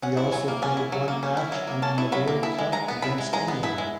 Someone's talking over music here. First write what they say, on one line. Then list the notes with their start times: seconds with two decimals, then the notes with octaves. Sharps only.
He also played one match in the World Cup against England.
0.02 C#4 F#5
0.17 E4
0.32 F#3 G#5
0.48 A#3
0.62 C#4 G#5
0.77 E4
0.92 F#3
1.08 A#3
1.23 C#4
1.37 E4
1.52 F#3
1.67 A#3
1.82 C#4 A5
1.98 E4
2.12 F#3 B5
2.28 A#3
2.43 E4 B5
2.58 G#3
2.72 G#3 A#5
2.88 B3
3.02 E4 B5
3.18 G#3
3.33 G#3 A#5
3.48 B3
3.63 E4 B5
3.78 G#3